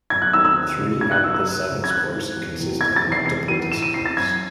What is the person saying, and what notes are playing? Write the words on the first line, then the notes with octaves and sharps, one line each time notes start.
Three out of the seven sports consist of multiple disciplines.
F#2 G#6
F#6
D#3 F#3 A3 C4 E6
E6
D#2
C#3 G#3
G#2 G#6
F#6
F#3 A3 D#4 F#4 E6
E6
F#2
C#3 F#3 C4
G#6
G#1 F#6
G#2 E3
E1
E2 C3 E3 A3
F#1 G#6
A6
E2 C3 D#3
C7
E1 C7
E2 D#3 D#7
A2 E7
D#7
E3 C4 C7
A6
F#2 G#6